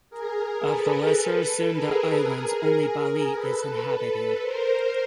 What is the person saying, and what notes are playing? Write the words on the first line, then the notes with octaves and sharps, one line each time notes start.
Of the Lesser Sunda Islands only Bali is inhabited.
G#4 A#4
A4 B4
G#4 A#4
G#4 A#4
A4 B4
A4 B4
A#4 C5